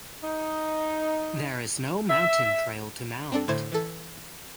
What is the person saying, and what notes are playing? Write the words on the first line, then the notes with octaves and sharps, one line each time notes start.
There is no mountain trail to Mt.
D#4
E5
C4 D4 A4
A2 D3 E4 C5 G#6
E3 A4